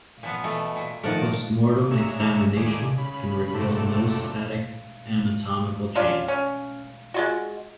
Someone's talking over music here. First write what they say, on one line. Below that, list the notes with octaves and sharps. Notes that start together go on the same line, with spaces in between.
Postmortem examination can reveal no static anatomical change.
A#2 F3 B3
B2 E3 A3
A#2
D#3 F3 A3 A#4 F#5 A5
D3 G#3 C#5 E5 A#5
D#2 A2 G#4 D5
C#3 B5
F#2 A2 C3 A3 D4
C#4 D4 F4
C#4
G#3 F4 F#4